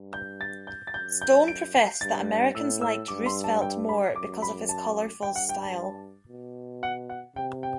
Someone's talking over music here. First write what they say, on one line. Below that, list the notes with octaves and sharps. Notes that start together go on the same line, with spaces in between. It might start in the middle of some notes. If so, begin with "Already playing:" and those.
Stone professed that Americans liked Roosevelt more because of his colorful style.
Already playing: G2
G6
A6
G6
A6
F#2 G6
G6
D7
C7
G2 A6
A2 E6
E6
G2 D6
C6
A5
G5
B5
F#2 D6
B5
A5
G2 G5
F#5
G5
A5
B2
F#5
F#5
C3 G5
G5